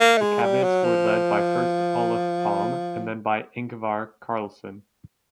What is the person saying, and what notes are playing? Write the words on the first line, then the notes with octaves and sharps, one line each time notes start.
The cabinets were led by first Olof Palme and then by Ingvar Carlsson.
A#3
A3
G#3
G3
F#3
F3